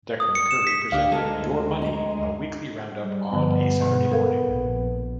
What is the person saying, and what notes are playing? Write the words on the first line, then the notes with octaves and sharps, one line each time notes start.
Declan Curry presented "Your Money", a weekly round-up on a Saturday morning.
D#6
C#7
E7
B6
D2 D4 G4 F5
G#3 A4 A#4
D#5 A#5
G3
G2 D3 F3 B3
G#2 B2
A4 A#4 F5
A#1